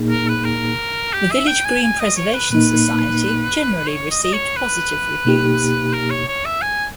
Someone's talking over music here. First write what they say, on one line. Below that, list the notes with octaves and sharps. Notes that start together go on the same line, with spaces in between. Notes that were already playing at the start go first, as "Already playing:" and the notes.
"The Village Green Preservation Society" generally received positive reviews.
Already playing: A#2 A#3 D#4 G#4
A#4
B4
A#4
G4
E5
G5
G#5
G#5
D#5
C#5
B4
A#2 A#3 D#4 B4
C#5
D#5
D#5
C#5
B4
B2 A#3 D#4 G4
A#4
C#5
C#5
E5
G#5